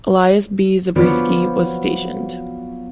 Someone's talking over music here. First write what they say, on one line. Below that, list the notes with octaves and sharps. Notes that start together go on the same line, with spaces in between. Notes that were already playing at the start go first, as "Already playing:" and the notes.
Elias B. Zabriskie, was stationed.
F3 F#3 B3 C4 F4 D5